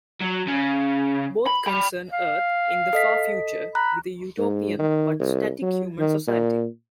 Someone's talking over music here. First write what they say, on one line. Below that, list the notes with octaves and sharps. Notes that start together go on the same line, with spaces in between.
Both concern Earth in the far future, with a utopian but static human society.
F#3
C#3
B5
G5 B5
F5
A4 D#5 B6
A#5 B5 F#6
G#2
D#3
C2
F#3
D#3
A#2